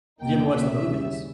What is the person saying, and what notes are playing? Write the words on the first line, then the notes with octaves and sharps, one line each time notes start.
did you ever watch the movies?
E2 B2 A#3 D#4 G5
C#2 B2 A#3 C#4 E5
D#2 C#3 G3